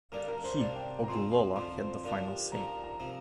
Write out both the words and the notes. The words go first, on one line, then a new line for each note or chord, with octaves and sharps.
He, Ogulola had the final say.
G2 D3 G3 A#3 D4 A#4
A#4
C5
C3 A#3 D4 D5
G5
A#5
F2 F3 C4 C6
C6
F2 D3 F3 C6
C5
D3 F3 A#3 D4 A#4
G4
D3 F3 A#3 A#5
A#5
A#5
C3 F3 C4